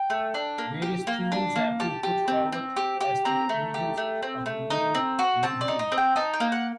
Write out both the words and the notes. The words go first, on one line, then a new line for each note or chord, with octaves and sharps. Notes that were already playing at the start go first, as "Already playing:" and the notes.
Various theories have been put forward as to the origins of the name "Loudoun".
Already playing: G5
A3
D4
A#3
G4
A#3
D4
A#3
G4 A5
G4
C4
C4
G4
G4
C4 A#5
A3
G4
A3
C4
A3
D#4
C4
F#4
C4 A5
D5
D#4
D#5
C4
G5
D#4 A5
G5
A#3
F#5